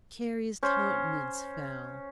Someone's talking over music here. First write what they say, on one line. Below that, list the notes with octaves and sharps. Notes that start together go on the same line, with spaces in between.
Carrie's countenance fell.
C#4 C5